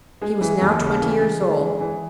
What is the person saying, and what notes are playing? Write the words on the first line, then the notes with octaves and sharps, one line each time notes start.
He was now twenty years old.
G#3
E3
D#2
C#3
E3
G#3
G#3
E3
E3